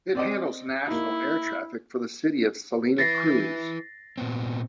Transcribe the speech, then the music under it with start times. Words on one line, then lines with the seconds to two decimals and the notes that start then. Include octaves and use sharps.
It handles national air traffic for the city of Salina Cruz.
0.15 C4 D5 D#5
0.87 A#3 D#4 E4
2.98 E4 B4 A6 A#6 C7
4.18 A#2 B3 C4